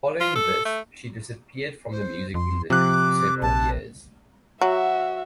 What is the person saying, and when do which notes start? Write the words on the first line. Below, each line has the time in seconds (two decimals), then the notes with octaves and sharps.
Following this, she disappeared from the music industry for several years.
0.21 F4
0.36 A4
0.65 A3
1.91 C5
2.34 F2 C6
2.70 C3 F3 D6 F#6
3.42 A#1 A5
4.61 F#3 F#4 E5